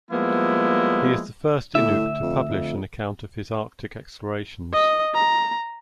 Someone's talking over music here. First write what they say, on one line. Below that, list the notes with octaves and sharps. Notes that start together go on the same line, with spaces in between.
He is the first Inuk to publish an account of his Arctic explorations.
F3 G3 G#3 A#3 B3 E4
D2 A2 E5
F2
F2
D#5
A#5